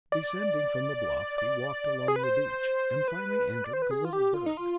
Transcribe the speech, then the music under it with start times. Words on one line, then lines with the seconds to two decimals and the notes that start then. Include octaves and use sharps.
Descending from the bluff, he walked along the beach, and finally entered the little burg.
0.12 D5
1.38 D5
2.08 G#4
2.16 B4
2.24 C5
3.08 B4
3.64 D5
3.73 C5
3.82 B4
3.91 G#4
4.05 F4
4.13 G4
4.34 F4
4.46 D#4
4.57 F4